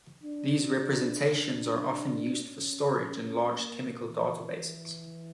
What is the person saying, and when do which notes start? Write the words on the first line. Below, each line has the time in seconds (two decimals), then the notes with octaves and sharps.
These representations are often used for storage in large chemical databases.
0.24 D4
0.79 D4
1.88 D4
2.43 C#4
3.52 A#3
4.07 E3